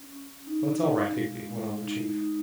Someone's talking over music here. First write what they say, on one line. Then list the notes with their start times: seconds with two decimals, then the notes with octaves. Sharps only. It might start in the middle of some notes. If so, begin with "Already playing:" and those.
"That's all right, Higby," went on the chief.
Already playing: C#4
0.13 C#4
0.47 D#4
0.81 F5
1.15 G#3
1.50 G#3
1.84 D#4
2.18 D#4